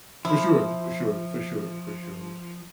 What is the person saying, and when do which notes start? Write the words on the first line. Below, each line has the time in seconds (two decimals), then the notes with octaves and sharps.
For sure, for sure, for sure, for sure.
0.25 F3 E4